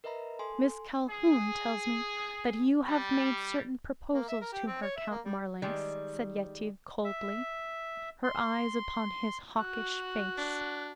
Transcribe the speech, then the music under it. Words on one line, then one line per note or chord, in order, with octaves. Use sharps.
"Miss Calhoun tells me that you have made certain proposals to her, Count Marlanx," said Yetive coldly, her eyes upon his hawkish face.
A#4 B4 D#5 E5 A#5 B5
A4 G#5 C6
G#4
G3
A#3
E5
A#4
G4
C4
C#5
E5
A#3
G3
D#3 G3 G#3
E5
C6
F#4 F#6
D4